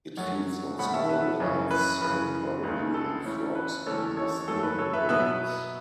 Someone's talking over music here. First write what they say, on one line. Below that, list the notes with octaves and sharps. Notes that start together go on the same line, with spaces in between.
It feeds on small lizards and probably on frogs and nestling birds.
F#2 F#3 A3 C#5 F#5
B2 A3 C#4 F#5 B5
E5 A5
B4 E5
F#2 C#3 E3 C#4
B4
F#2 C#3 E3 B4
C#2 C#3 A3
A4
A2 E3 C#4
B4
E2 E3 A3 C#4 A4 C#5
A4 C#5
F#2 F#3 A3 A4
B4
A4 C#5
B4 E5
B2 F#3 B3 B4 E5